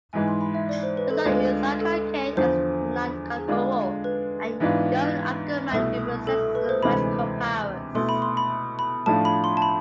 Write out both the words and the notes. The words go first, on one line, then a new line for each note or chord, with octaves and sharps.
It stars Issiaka Kane as Nianankoro, a young African man who possesses magical powers.
G#2 E3 G#3 G#5
C6
B5
E5
D5
C5
B4
A4
D2 D3 G#3 D4 F4
A4
E2 D3 F3 C5
G#4
D3 G#3 D4 F4 A4
B4
G#2 E3 B3 D4 F4
C2 B2 A3 E4
A4
B4
C5
D2 C3 E3 G#3 B5
B2 A3 E4 C6
B5
C6
B5
B5
A2 F3 A3 D4 F4 A5
B5
C6
A5
B5